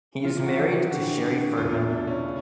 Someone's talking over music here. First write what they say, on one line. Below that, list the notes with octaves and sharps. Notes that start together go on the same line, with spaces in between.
He is married to Sherry Ferdman.
E3 F4
F#4
E3
G4
D3 F#4
D3
E2 F4
E4
B2 D4
C#4
C#3